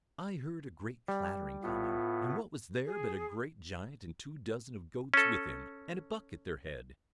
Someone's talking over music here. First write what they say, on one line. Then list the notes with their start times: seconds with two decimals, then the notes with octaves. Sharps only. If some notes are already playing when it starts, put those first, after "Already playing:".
I heard a great clattering, coming, and what was there but a great giant and two dozen of goats with him, and a buck at their head.
1.08 G3
1.63 A2 B3 F4
2.85 G#4
5.14 C#4 A4